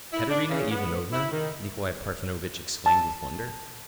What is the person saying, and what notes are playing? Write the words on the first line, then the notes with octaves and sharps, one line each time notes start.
"Katerina Ivanovna!" Nikolay Parfenovitch exclaimed with wonder.
E4
D4
C#3
B3
E4
D#3
A5